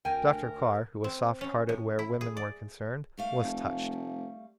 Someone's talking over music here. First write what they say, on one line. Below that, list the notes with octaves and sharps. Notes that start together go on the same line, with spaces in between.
Dr. Carr, who was soft-hearted where women were concerned, was touched.
D2 A#4 G5 G#5
C4
C#4
A2
E4
G#4
D5
G3 A3 F5
F1